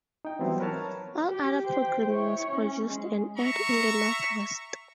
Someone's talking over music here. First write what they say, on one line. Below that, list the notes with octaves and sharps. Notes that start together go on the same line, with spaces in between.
All other programming was produced and aired in the North West.
D#4 G5
E3 F#3 G3 B3 C4 E4
A#4 B4 C#5 A5 F6
G4
C5 G5
E4 C#5
C#4
G#3
E5 A#5 C#6